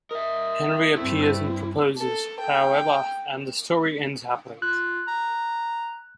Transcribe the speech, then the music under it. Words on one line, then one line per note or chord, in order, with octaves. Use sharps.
Henry appears and proposes, however, and the story ends happily.
A#4 D#5 E5
G2 A3 C4 E4
A4
G5
F4 F#6
A#5